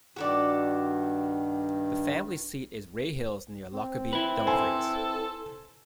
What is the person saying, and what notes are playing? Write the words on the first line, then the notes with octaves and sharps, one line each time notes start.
The family seat is Raehills, near Lockerbie, Dumfries.
G2 D#3 F#4 A4 D5
C4
E4 B4
A4 C5 G#5 C6